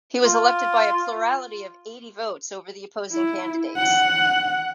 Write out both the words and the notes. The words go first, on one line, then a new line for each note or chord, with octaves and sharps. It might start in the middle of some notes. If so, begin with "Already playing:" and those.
He was elected by a plurality of eighty votes over the opposing candidates.
F4
E4
F#5